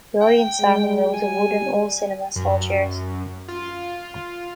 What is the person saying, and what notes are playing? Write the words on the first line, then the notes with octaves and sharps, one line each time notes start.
The audience sat on rows of wooden old cinema-style chairs.
G5
G#3
G3 G#5
F#2
F4